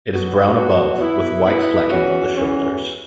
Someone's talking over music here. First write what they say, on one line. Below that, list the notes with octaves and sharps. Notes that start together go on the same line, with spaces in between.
It is brown above, with white flecking on the shoulders.
B2 F#3 B3 F#4
B2 F#3 B3 F#4
B2 B3 E4
B2 B3 E4
E2 E3 C#4 F#4
E2 E3 C#4 F#4